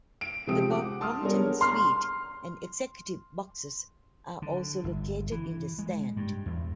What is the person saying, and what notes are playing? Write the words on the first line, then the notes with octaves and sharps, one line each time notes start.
The Bob Crompton suite and Executive Boxes are also located in the stand.
D7
C3 F3 G#3 G4 D#6 D7
F#5 D6
A5 C6 D#6 F6
G3 B3 D4 G#4 A#4 C#5
C6 F6
D3
G1
E3
G#3
G2
E2